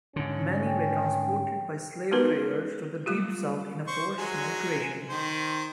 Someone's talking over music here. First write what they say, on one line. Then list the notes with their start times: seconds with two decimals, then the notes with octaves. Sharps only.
Many were transported by slave traders to the Deep South in a forced migration.
0.16 G#2 D3 C#4
0.66 G5
2.11 G#3 B3 D#4 F#4 A#4 B4
3.06 F#3 G3 F4 G4
3.88 C5 C#6
4.19 F#3 G#3 G#5
5.10 D#3 C5